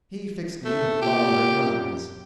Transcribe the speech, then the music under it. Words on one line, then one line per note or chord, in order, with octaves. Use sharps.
He fixed me with lowering eyes.
A3
A#2 G4